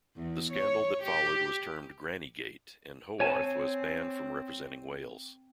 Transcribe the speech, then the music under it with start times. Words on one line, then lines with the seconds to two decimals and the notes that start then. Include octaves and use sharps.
The scandal that followed was termed "grannygate" and Howarth was banned from representing Wales.
0.16 E2
0.53 C#5
1.03 G4
3.20 C4 C#5 G#5 A5